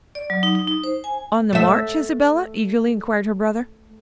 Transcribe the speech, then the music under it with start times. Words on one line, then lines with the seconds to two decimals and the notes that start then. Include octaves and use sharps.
"On the march, Isabella?" eagerly inquired her brother.
0.15 D5
0.30 F#3
0.43 D#4
0.55 D#4
0.67 D#4
0.84 C5
1.04 G#5
1.53 A3 E5